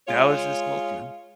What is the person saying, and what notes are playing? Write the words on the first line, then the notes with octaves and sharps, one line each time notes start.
That was just culture.
G#3 F4 C#5